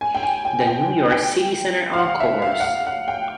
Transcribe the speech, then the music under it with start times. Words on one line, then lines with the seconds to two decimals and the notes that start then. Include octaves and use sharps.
The New York City Center Encores!
0.01 G#5
0.15 G5
0.23 G#5
0.45 G5
0.67 G5
1.11 G5
1.93 F5
1.98 F#5
2.20 E5
2.42 F5
2.60 F#5
2.64 F5
2.87 F#5
3.08 G5